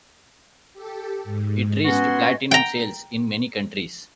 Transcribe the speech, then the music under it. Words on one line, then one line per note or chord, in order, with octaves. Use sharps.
It reached platinum sales in many countries.
G4 A4
G#2
B3 C#4 F#4 C6
G5 A#5